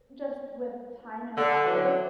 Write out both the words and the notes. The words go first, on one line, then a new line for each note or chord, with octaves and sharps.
just, with time and practice
D3
D3 E3 F#3